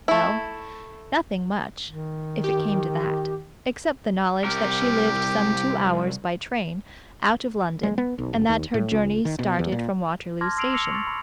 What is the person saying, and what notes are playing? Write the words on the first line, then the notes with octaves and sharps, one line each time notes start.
Well, nothing much, if it came to that, except the knowledge that she lived some two hours by train out of London, and that her journey started from Waterloo Station.
A3 E4
D#3
G4
C2 G4 A#4
G#3
B3
B1
F#1
D#2
A2
C#2
D#3
B2
E2
A#2
A5 C6 D6 F6 G#6 A#6
C6 E6 C7 D7 F7 F#7
D6 E6 A#6 C7 C#7 F7
C#6 A6
B5